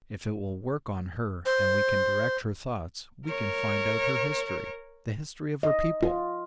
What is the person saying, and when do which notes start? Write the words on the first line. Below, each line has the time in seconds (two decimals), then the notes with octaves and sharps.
If it will work on her, and we can direct her thoughts, we can find out her history, the history of her people!
1.45 C5
3.27 A#4 C#5
5.63 D#5
6.03 F4